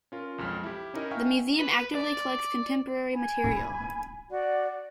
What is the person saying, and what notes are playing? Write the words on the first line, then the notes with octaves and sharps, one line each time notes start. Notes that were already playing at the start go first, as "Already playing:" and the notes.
The museum actively collects contemporary material.
C#4 F4 A#4
B1 F2 G#3 F6 B6
E4 G4
C#4 D#4 E4 A#4 D#5
E5 F5 G5 G#5 C#6 F6
B4
D5
G#5 B5
F#4 D5 F#5